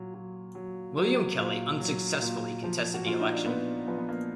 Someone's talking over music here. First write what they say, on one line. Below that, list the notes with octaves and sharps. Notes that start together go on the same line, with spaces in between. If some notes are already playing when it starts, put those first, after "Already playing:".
William Kelly unsuccessfully contested the election.
Already playing: A#2 F#3
F#3
F#3
F#3
A#2
F#3
A#2
F3
F#4
A#2 F4
D#4
D4
A#2 B3
F3 B3
B3
A#3